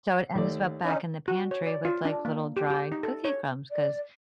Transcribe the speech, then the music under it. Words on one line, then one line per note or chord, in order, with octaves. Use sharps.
So it ends up back in the pantry with, like, little dry cookie crumbs 'cause,
D#2 A3 D5
D3 C#4 D#4
F#4
C#5
D5
F4
D4
A#3
G4
G4
D#4
A4
C#5
D5